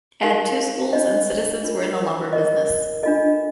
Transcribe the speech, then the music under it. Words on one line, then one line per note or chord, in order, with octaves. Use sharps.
It had two schools, and citizens were in the lumber business.
D#4 G4 A#4 F5
D4 F4 C5 D#5
D4 F4 A#4
F4 A#4 D#5
D4 F4 A4 D#5